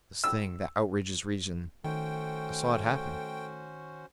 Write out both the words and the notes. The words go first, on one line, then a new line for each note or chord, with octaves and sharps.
This thing, that outrages reason--I saw it happen.
E6
D#3 A3 C#4 F#4 C5 G5